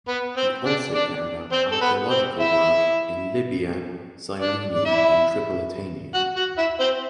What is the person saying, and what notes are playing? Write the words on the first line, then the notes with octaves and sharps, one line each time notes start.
He also carried out archaeological work in Libya, Cyrene and Tripolitania.
B3 B4
C4 C5
D4 D5
D4 D5
C4 C5
A4
B3 B4
C4 C5
E4 E5
D4 D5
D5
E4 E5
F#4 F#5
F#4 F#5
E4 E5
C4 C5